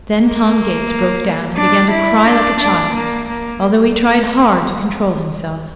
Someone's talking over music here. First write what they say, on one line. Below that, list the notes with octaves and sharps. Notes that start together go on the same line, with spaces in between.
Then Tom Gates broke down and began to cry like a child, although he tried hard to control himself.
A#3
D4
E4
D4
D4
A#3
A#3